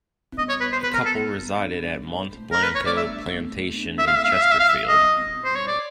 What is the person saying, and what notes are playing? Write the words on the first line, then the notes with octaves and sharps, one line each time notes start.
The couple resided at Mont Blanco plantation in Chesterfield.
D#5
C#5
B4
C5
B4
A#4
A4
A#4
B4
C#5
D5
E5
E5
F5
E5
F5
E5
F5
E5
F5
E5
D#5
C5
C#5
D5